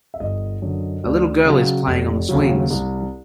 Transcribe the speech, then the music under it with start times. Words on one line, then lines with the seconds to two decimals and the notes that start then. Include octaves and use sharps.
A little girl is playing on the swings.
0.14 E5
0.20 G1 D#5
0.62 F#2 D3
1.04 D2 D5
1.45 C#3 F#3
1.87 F1
2.29 D#2 C#3 F#3
2.71 C2